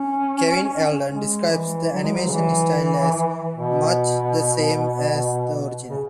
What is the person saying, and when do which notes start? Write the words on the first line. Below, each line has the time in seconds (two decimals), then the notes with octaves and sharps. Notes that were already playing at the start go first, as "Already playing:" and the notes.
Kevin Eldon describes the animation style as 'much the same as the original'.
Already playing: C#4
1.11 G#3
1.51 E3
1.93 F#3
2.04 G#3
2.15 F#3
2.28 C#3
2.33 E3
3.56 B2
5.90 C#3